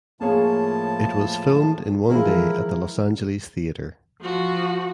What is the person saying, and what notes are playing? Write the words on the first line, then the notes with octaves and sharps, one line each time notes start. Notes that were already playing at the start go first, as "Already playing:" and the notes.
It was filmed in one day at the Los Angeles Theatre.
A2 F3 A#3 G#4 C#5 A5
E3 F3 G#3 E4 A#4
F3 F#4